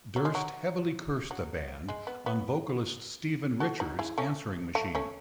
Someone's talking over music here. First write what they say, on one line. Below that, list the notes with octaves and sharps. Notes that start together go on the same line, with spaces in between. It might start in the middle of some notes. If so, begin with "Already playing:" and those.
Durst heavily cursed the band on vocalist Stephen Richards' answering machine.
F#3
G#3
F#3
F#3
G#3
B3
B3
F#4 A4
D#4 F#4
E4 G#4
A3 C#4
A3
A3 C#4